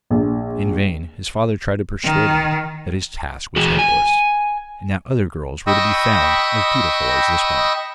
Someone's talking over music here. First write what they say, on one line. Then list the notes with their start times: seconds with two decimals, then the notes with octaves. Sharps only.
In vain his father tried to persuade him that his task was hopeless, and that other girls were to be found as beautiful as this one.
0.10 A#1
2.04 D#3
3.56 E3 F#4 G#4
3.79 G#5
5.67 D#5 G5 B5 C#6 D#6 E6